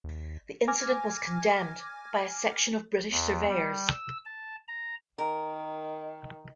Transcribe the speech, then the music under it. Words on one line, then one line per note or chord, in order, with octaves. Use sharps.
The incident was condemned by a section of British surveyors.
D#2
G#5 D6 F6 G#6 A#6
E2
G3
E6
A5
A#5
D#3 A#4